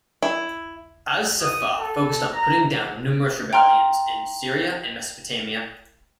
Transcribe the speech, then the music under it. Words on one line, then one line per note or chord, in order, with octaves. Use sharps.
As-Saffah focused on putting down numerous rebellions in Syria and Mesopotamia.
E4
D#6
A4
A#5
G5 A#5 C6 F6